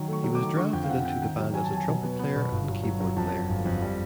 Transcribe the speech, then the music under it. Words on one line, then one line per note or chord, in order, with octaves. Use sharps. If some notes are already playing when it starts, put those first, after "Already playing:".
He was drafted into the band as a trumpet player and keyboard player.
Already playing: D#3 F#3
A3 C#6
F#3
D6
D#3
D3 C#6
F2 G5
F5
C4 F#5
D3 G5
D#3 G5
F#3
F#3 G#5
A5
F#3 G#5
B2
B3
B3
B2
G1
F#3
F#3
F#3
F2 A5
F#3
G1
F2
G3